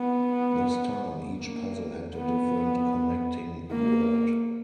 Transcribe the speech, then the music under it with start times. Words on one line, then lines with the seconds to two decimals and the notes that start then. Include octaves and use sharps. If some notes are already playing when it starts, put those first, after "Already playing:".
This time, each puzzle had a different connecting word.
Already playing: B3
1.39 A#3
2.16 B3
3.71 A#3